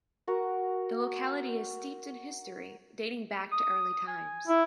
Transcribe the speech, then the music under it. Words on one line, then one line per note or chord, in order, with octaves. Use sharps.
The locality is steeped in history, dating back to early times.
F#4 A#4 F#5
D#6
G#5
E4